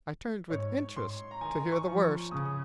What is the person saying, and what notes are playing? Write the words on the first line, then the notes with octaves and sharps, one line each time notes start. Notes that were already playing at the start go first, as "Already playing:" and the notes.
I turned with interest to hear the worst.
G#2 C#5
G#2 C6
A#5
D#3 G#5
C#6
F3
C#6
C#3 D#6
D#6